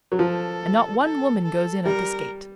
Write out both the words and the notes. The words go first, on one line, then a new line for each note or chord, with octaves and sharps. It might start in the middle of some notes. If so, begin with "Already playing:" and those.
And not one woman goes in at this gate.
F#3
F3 A4
A4
A4
G3 A#4